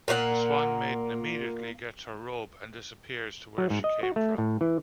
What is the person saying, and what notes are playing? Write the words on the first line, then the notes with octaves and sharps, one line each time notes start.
The swan maiden immediately gets her robe and disappears to where she came from.
A#2 A#3 F#4 F#5
F#3
G#2
D#5
F#4
A3
A2
E3